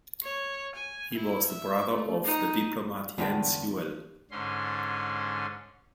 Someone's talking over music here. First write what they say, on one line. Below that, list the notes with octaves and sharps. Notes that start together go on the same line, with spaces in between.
He was the brother of the diplomat Jens Juel.
C#5
G#5
E4
E5
A3
D#4
E2 D3 G5
G#2 D3 C#4 C6